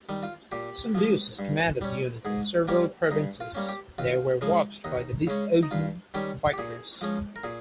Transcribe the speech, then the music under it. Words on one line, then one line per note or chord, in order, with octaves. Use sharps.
Some duces commanded units in several provinces: they were watched by the diocesan vicars.
D#3 G3
F4
A#2 G4
F3 G#3
G2
G3 C#4
G#2 G#4
G3 A#3 C#4 G4
G2 D#4
F4
G3 A#3 C#4
G4
D#2 F4
C#3 F3 G#3
D#2 D#4
C#3 G#3 C#4
D#4
G2 F4
D#3 G3 C#4 G4
G4
A#2 G#4
F3 G#3 C#4
A#4
A#2 G#4